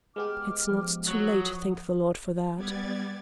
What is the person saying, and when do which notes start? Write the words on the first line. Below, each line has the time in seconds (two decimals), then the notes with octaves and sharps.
It's not too late, thank the Lord for that!
0.16 G#3 B3 G4 G5 D6 F6
0.71 F3
1.08 F#3 F#5 D#6
2.55 G3 B3 D5 G#6 A6